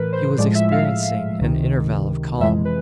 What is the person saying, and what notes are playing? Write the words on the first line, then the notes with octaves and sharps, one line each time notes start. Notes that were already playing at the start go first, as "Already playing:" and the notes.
He was experiencing an interval of calm.
Already playing: A2 E3 A#4 B4
C5
A2 F3 G#3 D5
E5
F5
F5
C#2 C3 D#3
F2 C3 E3 G#3 E5
B4